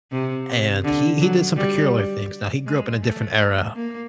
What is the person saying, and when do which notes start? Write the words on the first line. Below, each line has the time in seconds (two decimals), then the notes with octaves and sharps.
and he he did some peculiar things. Now, he grew up in a different era,
0.12 C3
0.84 D3
1.21 F#3
1.56 G3
2.66 G#3
3.02 A3
3.75 A#3